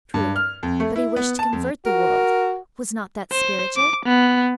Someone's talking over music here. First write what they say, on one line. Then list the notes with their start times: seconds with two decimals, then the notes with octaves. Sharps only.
True; but, he wished to convert the world.... was not that spiritual?
0.14 G2
0.36 F6
0.63 F2
0.80 A3
0.96 E4
1.16 B3
1.39 A5
1.53 F2
1.86 F#4 A#4
3.32 C5
3.76 D6
4.05 B3